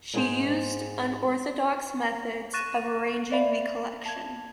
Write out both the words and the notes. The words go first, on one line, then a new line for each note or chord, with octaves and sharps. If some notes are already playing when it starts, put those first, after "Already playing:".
She used unorthodox methods of arranging the collection.
G#2 G#3 G#4 C5 G5
C#6 F#6 A6 A#6 D#7 E7
D5 E5 F5 B5
A5 G#6